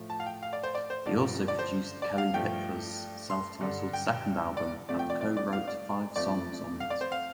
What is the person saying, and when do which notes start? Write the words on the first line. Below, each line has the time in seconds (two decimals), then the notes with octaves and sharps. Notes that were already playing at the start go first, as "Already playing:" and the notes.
He also produced Kellie Pickler's self-titled second album and co-wrote five songs on it.
Already playing: A2 F3 A3
0.10 A5
0.20 F5
0.26 G5
0.43 F5
0.53 D5
0.63 C5
0.75 D5
0.90 C5
1.06 G2 D3 F3 A3 D5
1.48 D5
1.59 C5
2.02 D5
2.18 F5
2.34 G2 F3 A3 G5
3.30 C6
3.61 G2 D3 G3
3.93 G5
4.57 D5
4.88 F2 C3 F3 A3 D5
4.99 G5
5.10 D5
5.21 D5
5.37 D5
5.53 F5
5.68 D5
6.16 F2 F3 A3 D5
6.80 F5
6.90 D5
7.01 C5
7.12 F5